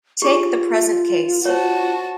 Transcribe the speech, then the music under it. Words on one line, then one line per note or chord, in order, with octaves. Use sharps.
Take the present case.
F4 G4 G#4
F#4 C5 C#5 A5